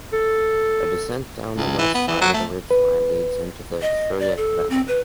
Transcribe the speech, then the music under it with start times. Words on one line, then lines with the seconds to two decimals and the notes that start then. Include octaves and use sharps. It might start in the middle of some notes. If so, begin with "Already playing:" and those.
A descent down the west side of the ridgeline leads into the Shuryek valley.
0.13 A4
1.57 C#2
1.78 E3
1.94 B3
2.08 E3
2.21 F#3
2.33 A3
2.71 B4
3.82 D#5
4.20 D5
4.37 A4
4.70 C4
4.88 B4